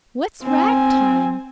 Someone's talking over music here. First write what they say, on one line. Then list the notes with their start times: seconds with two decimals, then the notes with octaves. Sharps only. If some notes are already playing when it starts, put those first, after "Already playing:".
"What's rag-time?"
0.43 C4 G#5